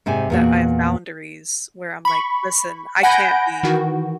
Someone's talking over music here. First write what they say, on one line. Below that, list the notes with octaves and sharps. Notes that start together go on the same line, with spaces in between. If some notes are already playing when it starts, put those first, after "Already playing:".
that I have boundaries where I'm like, listen, I can't be
G#2 C3 D5 G#5
E2 A#2 F#4
B5 C#6
F#5 G#5 B5 G6 A#6 D7
D#3 E3 F#4